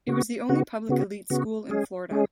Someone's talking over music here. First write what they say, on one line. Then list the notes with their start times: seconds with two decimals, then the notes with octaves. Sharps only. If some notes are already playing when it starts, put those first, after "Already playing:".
It was the only Public Elite school in Florida.
0.07 C#3 B3 F#4
0.49 C#3 B3 F#4
0.89 C#3 B3 F#4
1.30 C#3 B3 F#4
1.69 G#3 C#4 G#4
2.11 G#3 C#4 G#4